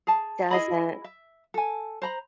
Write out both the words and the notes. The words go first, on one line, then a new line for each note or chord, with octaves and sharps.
It doesn't.
G#4 A5
E4 G#4 D#5 B5
E5
A4 G#5
C5 A#5 B5